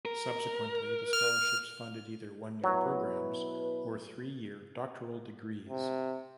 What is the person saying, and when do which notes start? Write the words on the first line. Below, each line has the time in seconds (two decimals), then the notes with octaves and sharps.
Subsequently, the Scholarships funded either one-year programs or three-year doctoral degrees.
0.05 A#4
1.13 F6
2.64 B2 F#3 E4 B4
5.70 C3